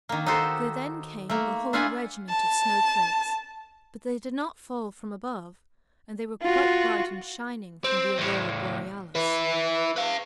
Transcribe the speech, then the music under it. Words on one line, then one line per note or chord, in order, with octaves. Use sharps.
There then came a whole regiment of snow-flakes, but they did not fall from above, and they were quite bright and shining from the Aurora Borealis.
D#3 A#3
D#4 F#4 G4 A4 C5
A3 A#3
D4 E4 F4 F5 F#5 G#5
A5
F4 F#4
C4
E2 A2
E4 B4
B4 F5